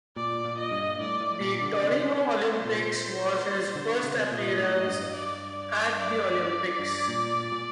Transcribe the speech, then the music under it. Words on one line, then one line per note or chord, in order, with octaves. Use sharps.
The Torino Olympics was his first appearance at the Olympics.
A#2 D5
A#2
D#5
G2
A2 D5
A2
A#2 D5
D3
C3 C5
A#2
D3
C3
A#2 D#5
A2
G2
D5
D5
D5
G2
A#2
A#2
A#2